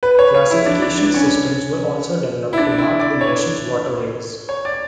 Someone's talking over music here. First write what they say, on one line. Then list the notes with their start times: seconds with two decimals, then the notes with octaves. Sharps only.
Classification systems were also developed to mark the nation's waterways.
0.03 B4
0.19 C#5
0.35 C#5
0.51 E4
0.66 D4
0.82 D4
0.98 D4
1.14 C#4
2.53 E4
2.57 D4
2.78 E4
3.00 D5
3.21 C#5
4.49 C#5
4.65 D5